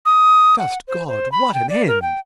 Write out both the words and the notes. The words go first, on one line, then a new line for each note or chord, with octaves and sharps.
Just God, what an end!
D#6
F#5
C5
C5
B5
G5
D5
A#4
G5